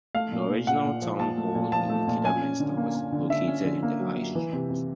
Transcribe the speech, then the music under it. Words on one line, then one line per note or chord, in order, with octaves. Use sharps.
The original town hall in Kidderminster was located in the High Street.
A3 F5
A#2
A#2
A#2 F#5
A#2
F3
A#2 A5
A3
A#2
F3 A5
A3
A#2
C#4 G#5
C#4
D3
A#3
A#3
D3
D3 E5
C#4
D3
A#3
F#3
A#3
E3
C3
C3